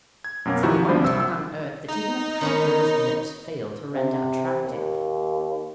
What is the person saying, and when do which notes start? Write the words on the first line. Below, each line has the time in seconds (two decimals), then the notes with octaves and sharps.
It's the one tongue on earth that even a pretty girl's lips fail to render attractive.
0.24 G#6
0.45 F#2 B2 A#3 C#4
0.63 D#3 F3 E4 F#4 G4 B4
0.88 G1 G2 F3 D4 C5 B5
1.04 C2 E6
1.89 D#4
2.41 D#3 B3 C#4
3.94 C3
4.64 D#2